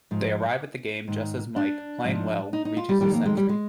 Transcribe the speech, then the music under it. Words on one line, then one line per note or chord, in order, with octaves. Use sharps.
They arrive at the game just as Mike, playing well, reaches his century.
G#2 F3
G#2 D#3
D4
G#2 F3
D#4
D#4
F4
G3
F2 D#3 G3
A#3
G#3
G3
G#3